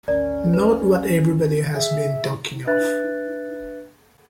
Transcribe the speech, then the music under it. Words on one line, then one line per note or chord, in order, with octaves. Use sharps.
Not what everybody has been talking of!
G#1 D2 C#4 A#4 D5
B4
G#4 E5
D4 B4 E5 F#6 A6